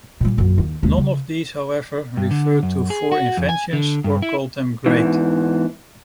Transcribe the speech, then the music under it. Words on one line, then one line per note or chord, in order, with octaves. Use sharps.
None of these, however, referred to four inventions or called them great.
A#2 G3
A#1 F#2
D#2
D#2 G#3
C#3
G2
D3
F#2
G#4
F#4
F2
G#5
D3
G2
E4
E2 G#2 E3